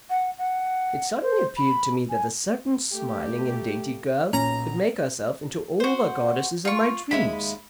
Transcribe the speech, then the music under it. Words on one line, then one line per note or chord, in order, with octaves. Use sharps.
It suddenly appeared to me that a certain smiling and dainty girl could make herself into all the goddesses of my dreams.
F#5
F#5
C5
B5
G#5
A3 A#3 G4
B1 A#2 C#4 A#5
F#4 C5
F4 C#6
D#2 G#3 E5 B5